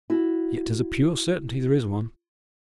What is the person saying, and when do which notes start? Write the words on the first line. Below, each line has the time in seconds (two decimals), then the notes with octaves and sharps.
Yet 'tis a pure certainty there is one.
0.10 E4 F#4